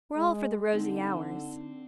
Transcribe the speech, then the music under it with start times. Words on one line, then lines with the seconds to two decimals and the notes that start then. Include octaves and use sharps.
We're all for the rosy hours.'
0.16 G#3
0.74 D3 C4 D#4